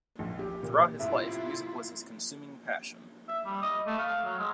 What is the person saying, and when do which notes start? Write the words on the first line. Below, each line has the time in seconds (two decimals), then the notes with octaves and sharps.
Throughout his life, music was his consuming passion.
0.19 A#1
0.39 G4
0.63 A#2
1.00 F#2 A2 C3 E4 F4 E5
3.29 E5
3.45 G3
3.62 D#5
3.86 A3
3.99 F5
4.24 F#3
4.39 G#3